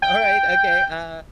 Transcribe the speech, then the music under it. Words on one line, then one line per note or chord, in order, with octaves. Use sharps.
alright, okay, uh
G5